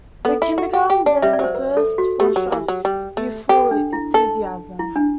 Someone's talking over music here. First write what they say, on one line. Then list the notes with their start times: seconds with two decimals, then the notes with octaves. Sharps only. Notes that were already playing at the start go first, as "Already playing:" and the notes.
The Kindergarten, then in the first flush of youthful enthusiasm.
0.25 B3 A4
0.42 E4
0.58 F#4
0.73 G4
0.90 G4
1.06 D4
1.22 G3 E5
1.33 D5
1.39 F#3 C5
1.55 B4
1.77 A4
1.98 F#4
2.20 A3 G4
2.36 F#3
2.52 E3
2.68 F#3
2.85 G3
3.17 A3
3.49 G4 A4
3.71 D4
3.93 E4
4.14 A4
4.79 E4
4.96 D4